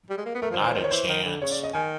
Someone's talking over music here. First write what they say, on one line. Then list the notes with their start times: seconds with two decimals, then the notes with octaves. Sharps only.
Not a chance.
0.10 G3
0.18 G#3
0.26 A#3
0.35 B3
0.42 A3 A#4
0.50 F3 C5
0.59 D#3
0.64 C5
0.67 E3
0.75 D#3 C5
0.84 C#5
0.91 E3 C5
1.08 D#3
1.24 D3
1.41 C#3 C#5
1.52 D5
1.63 D#5
1.73 D#3 G#5